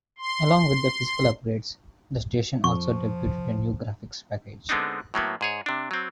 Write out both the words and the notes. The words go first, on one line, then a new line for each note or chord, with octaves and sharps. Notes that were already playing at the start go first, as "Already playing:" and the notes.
Along with the physical upgrades, the station also debuted a new graphics package.
C6
F2 F3 C#6
D3 G#3 B3 C4 D4 D#4
A2 F#3 A#3 B3
G#2 G#4 C#5
C3 D4
F#3 C4